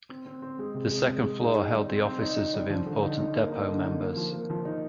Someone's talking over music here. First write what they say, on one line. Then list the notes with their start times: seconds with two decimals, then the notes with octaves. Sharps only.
The second floor held the offices of important depot members.
0.09 C4
0.26 C4
0.42 C4
0.59 G#3
0.74 C3
0.91 G#3
1.07 G#3
1.24 G#3
1.40 D#4
1.56 D#4
1.72 G3
1.89 C4
2.05 C4
2.22 D#4
2.37 D#4
2.54 G3
2.70 F3
2.86 D3
3.03 D#4
3.19 D#4
3.35 A#3
3.51 D#4
3.68 D3
3.84 D#4
4.00 A#3
4.17 F3
4.33 A#3
4.50 F3
4.65 D#4